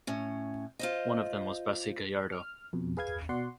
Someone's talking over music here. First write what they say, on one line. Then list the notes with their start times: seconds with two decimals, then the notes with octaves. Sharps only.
One of them was Bessy Gallardo.
0.07 A2 C#4
0.79 F4 C5 D#5
2.32 F6
2.73 F2 B2
2.97 G#4 B4 F5 G#5 G#6
3.29 B2 F#4 D5 F#5 C6